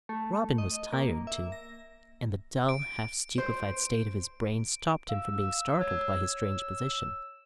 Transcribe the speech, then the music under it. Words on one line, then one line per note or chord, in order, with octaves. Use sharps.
Robin was tired too, and the dull, half-stupefied state of his brain stopped him from being startled by his strange position.
A3
D#5
A#3
E5
A#6
D7
C5
F5 E6
C#5 G#6